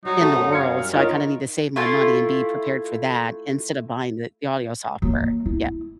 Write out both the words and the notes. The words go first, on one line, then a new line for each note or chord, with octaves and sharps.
in the world, so I kinda need to save my money and be prepared for that instead of buying the the audio software" Yeah.
F#3 G3 D#4
A3 F#4
F#2 C#4 C#5 F#5
F#2 F5 G#6 C#7
G3 F6
D#4 F4 A#4 C#5
A3 E4 F4 C6
F#3 A#3
E4